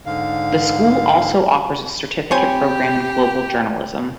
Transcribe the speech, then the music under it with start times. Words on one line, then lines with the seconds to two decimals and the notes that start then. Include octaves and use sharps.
The school also offers a certificate program in global journalism.
0.06 G#2 D3 F5
2.31 C4 G4 C5 C#5 G5 G#5 B5